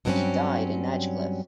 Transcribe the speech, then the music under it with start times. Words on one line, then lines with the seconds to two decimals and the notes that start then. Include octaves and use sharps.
He died in Edgecliff.
0.05 G2 F#3 G3 A#3 C4 C#4